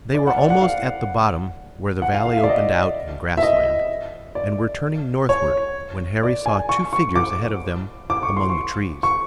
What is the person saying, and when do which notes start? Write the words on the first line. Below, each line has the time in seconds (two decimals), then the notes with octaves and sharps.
They were almost at the bottom where the valley opened out in grass land, and were turning northward when Harry saw two figures ahead of them among the trees.
0.14 D5
0.27 F#5
0.38 D5
0.50 F#5
0.62 F5
2.02 F#5
2.13 F5
2.25 F5
2.37 E5
2.44 D5
2.49 D#5
3.37 E5
3.43 D#5
4.35 D5
5.29 C#5
6.23 D5
6.46 G#5
6.69 C#6
6.93 C#6
7.16 D6
8.10 D6
8.23 C#6
8.37 C6
8.50 C#6
9.03 C#6